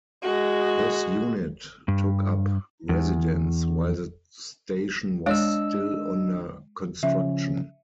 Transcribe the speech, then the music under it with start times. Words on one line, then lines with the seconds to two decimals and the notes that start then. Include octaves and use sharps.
This unit took up residence while the station was still under construction.
0.23 G#3 F#4
1.88 G2
2.89 E2
5.26 G#3 D4 C#5 D#5 E6
7.03 C#3 F3 C#4 E5